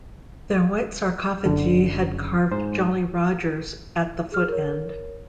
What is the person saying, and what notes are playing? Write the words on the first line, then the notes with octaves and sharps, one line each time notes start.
Their white sarcophagi have carved "jolly rogers" at the foot end.
F#1 F#2 D3
G#2 C5
G#4 F6
A#4 C#5